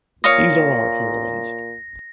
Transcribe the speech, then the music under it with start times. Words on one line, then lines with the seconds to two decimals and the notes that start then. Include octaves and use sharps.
These are our heroines.
0.24 A#2 C#5 F5 D#6 A#6